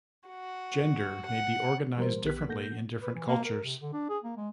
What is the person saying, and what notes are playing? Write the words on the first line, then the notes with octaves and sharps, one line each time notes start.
Gender may be organized differently in different cultures.
F#4
F#5
E3 G3 A#3 A#4 C5
A#1 B3 G4 F#6 B6
A#2 A#3 A4 F#5 G6 A#6
B4
E3
A#3
A#4
C3
D3
D4
G#4
A#3
G#3